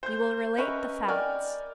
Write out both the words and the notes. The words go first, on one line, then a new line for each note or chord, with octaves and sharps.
We will relate the facts.
C5 G6
C#4 A#4 B4 D#5 E5 C#6
A#4 D5 D#5 G5 G#5 F6